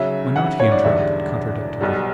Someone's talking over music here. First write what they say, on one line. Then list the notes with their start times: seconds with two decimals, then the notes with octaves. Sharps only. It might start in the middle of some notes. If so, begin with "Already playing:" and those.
"Why not!" he interrupted, contradicting me.
Already playing: C#3 F#3 C#4 E5
0.36 F#5
0.60 C#5
0.72 D5
0.84 E1 E2 D3 G3 D4 E5
1.81 B1 B2 G3